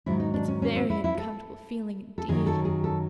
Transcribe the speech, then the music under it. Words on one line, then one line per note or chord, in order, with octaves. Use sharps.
It's very uncomfortable feeling indeed.
G#2 D#3 F#3 E4
D#4
D4
C#4
C#4
C4
E4
E4
A4
A4
F#2 D#3 F#3 G#4
A4
G#4
A4